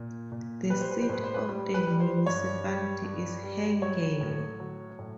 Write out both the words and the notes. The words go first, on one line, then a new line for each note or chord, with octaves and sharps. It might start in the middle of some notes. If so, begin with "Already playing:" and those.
The seat of the municipality is Hengelo.
Already playing: A#2
A#2
G3 B4
C5
B4
C5
A2 B4
C5
B4
G3
B4
G3
C5
G2 C#5
G3
G2
G3
F#3 C#5
A2
F#3
A2